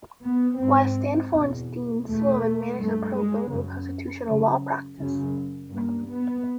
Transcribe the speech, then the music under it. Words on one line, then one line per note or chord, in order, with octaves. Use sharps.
While Stanford's Dean, Sullivan maintained a pro bono constitutional law practice.
B3
G#2 C4
E2 B2
E2 B2 A3
G2 A3
G#3
F#2 C#3
F#2 C#3
F#2 C#3
G2 A#3
B3